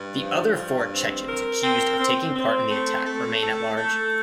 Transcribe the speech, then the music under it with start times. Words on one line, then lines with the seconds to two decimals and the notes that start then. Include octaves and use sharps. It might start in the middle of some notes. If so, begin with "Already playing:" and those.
The other four Chechens accused of taking part in the attack remain at large.
Already playing: G2
0.22 F3
0.57 G2
0.93 C4
1.28 A#4
1.63 C4
1.99 C4
2.36 C4
2.70 A3
3.06 A3
3.41 A4
3.77 A3